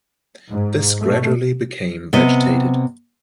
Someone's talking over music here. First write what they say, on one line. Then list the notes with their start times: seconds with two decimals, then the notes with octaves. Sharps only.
This gradually became vegetated.
0.51 G#2
1.01 B2 A3
2.13 C3 B3 D#5